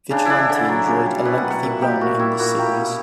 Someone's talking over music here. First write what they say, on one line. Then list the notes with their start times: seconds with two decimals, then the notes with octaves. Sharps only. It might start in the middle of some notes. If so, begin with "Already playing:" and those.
Vigilante enjoyed a lengthy run in this series.
0.10 C#3 D4
0.25 E3 D4 E4
0.49 D3
0.69 F#3
0.87 C#3
1.06 G3
1.25 B2 B4
1.38 F#5
1.44 F#3
1.50 F#5
1.63 A#2 E5
1.82 A#3 G4
2.01 A#2 F#4
2.19 G3 E4
2.39 A#2 F#4
2.58 A#3 G4
2.77 B2